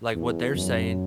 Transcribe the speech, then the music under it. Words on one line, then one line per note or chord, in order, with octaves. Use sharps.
like what they're saying,
E2
F#2